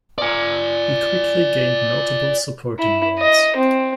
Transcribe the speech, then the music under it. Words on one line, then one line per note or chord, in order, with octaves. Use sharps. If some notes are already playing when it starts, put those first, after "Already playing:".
He quickly gained notable supporting roles.
D5 G#5
E4
D#5
C4